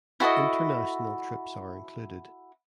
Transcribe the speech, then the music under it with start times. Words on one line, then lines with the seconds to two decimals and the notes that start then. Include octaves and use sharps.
International trips are included.
0.20 E4 F#4 A4 D#5